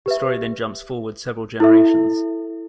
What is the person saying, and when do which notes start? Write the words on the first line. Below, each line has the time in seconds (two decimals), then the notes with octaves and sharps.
The story then jumps forward several generations.
0.06 G4 B4 E5
1.60 E4 A4 E5